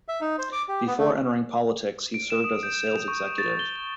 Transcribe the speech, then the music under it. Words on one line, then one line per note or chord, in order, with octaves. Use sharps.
Before entering politics, he served as a sales executive.
E5
D#4
C5
D6
G4
B3
A3
D7
E7
D#6
G6
G6
F7
C#6
A6
G7
G7